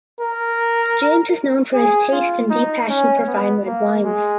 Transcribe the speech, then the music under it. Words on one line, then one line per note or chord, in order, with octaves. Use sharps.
James is known for his taste and deep passion for fine red wines.
A#4
G#4
F4
D#4
C#4
B3
A#3
G#3